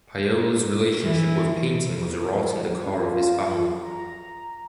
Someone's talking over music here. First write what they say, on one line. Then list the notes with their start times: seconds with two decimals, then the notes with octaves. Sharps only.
Piola’s relationship with painting was wrought in the core of his family.
1.02 E3
2.85 C#4
3.00 F4
3.82 A#5